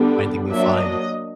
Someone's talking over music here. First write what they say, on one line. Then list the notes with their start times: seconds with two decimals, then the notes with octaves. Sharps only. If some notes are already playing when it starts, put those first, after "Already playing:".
finding new finds.
Already playing: D3 G3 B3 D4
0.49 F#3 A#3 D4 E5
0.79 D#5